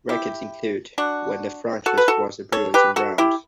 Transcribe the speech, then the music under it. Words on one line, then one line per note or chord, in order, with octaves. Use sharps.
Records include when the franchise was the Brewers and Browns.
E4 G4
D4 F#4
F#4 A4
B4
F#4 A4
A4 C#5
G4 B4
F#4 A4
E4 G4